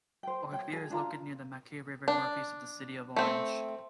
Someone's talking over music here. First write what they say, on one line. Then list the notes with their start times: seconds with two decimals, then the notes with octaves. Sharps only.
Ophir is located near the Macquarie River northeast of the city of Orange.
0.23 C5 G5
0.52 C#5 G5
0.73 G#4 G#5
0.90 D4 F4 A#5
2.08 D4
3.16 A3 C4